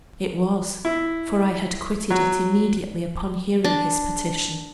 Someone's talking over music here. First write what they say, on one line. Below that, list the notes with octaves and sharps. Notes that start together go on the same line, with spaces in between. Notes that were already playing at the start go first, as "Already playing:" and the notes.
It was, for I had quitted it immediately upon hearing his petition.
E4
F#3
D4